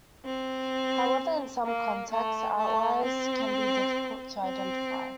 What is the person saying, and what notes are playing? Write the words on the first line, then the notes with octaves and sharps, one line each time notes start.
However, in some contexts, outliers can be difficult to identify.
C4
A#3
A3
A3
C4
C4